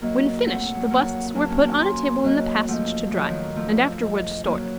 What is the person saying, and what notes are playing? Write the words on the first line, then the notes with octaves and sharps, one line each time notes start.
When finished, the busts were put on a table in the passage to dry, and afterwards stored.
F#3 A#3 D#5
A3 C4 F#5
F#3
A3
F#3 A#3
F#3 A#3 A5
A#3 C#4
A#3 C#4
A#3 C#4 C6
F#3 A#3 D#5
F3 A3 D#5 F#5
F#3 D#5
F3
D#3 F#3
F3 A3
D#5
F#3 A#3 C#5